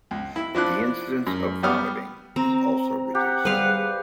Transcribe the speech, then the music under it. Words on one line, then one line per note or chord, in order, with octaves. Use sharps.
The incidence of vomiting is also reduced.
C#2
E4
F3 D4 E4 F#6
F#2
G3 B3 D#6 F6
C4 A#5
G4 F#5
G3 G#4 B4 C5 F5